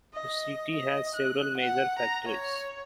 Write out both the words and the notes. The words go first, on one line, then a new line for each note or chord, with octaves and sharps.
The city has several major factories.
D#5
D#5
F#6
F#5
A#5
C#5